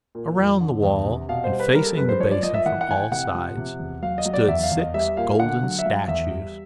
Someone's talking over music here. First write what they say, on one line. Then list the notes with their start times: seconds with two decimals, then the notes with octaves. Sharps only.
Around the wall, and facing the basin from all sides, stood six golden statues.
0.15 A#2
0.37 F2
0.60 D3
0.83 E2
1.06 C3
1.29 B2 F5
1.44 C5
1.52 G3
1.60 B4
1.74 G3 A#4
1.86 A4
1.97 F#2 B4
2.09 C5
2.20 F3 C#5
2.31 D5
2.42 F3 D#5
2.54 E5
2.66 E3 F#5
2.81 F#5
2.89 E3 G#5
2.96 G5
3.11 C3 F#5
3.35 F3
3.57 C3
3.80 E2
4.03 F#3 F5
4.18 D#5
4.25 F#3
4.33 D5
4.48 E2 E5
4.63 F5
4.71 E2
4.79 D#5
4.94 G3 E5
5.17 A#2 F5
5.40 D3 F#5
5.63 F#3
5.79 E5
5.85 F#3 F5
6.08 E2 E5
6.31 G3